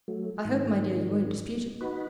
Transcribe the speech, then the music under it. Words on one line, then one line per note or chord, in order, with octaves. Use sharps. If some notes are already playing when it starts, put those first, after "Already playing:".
I hope, my dear, you won't dispute it.
F#3 A3
G#2 D#3
D#4 F#4 B4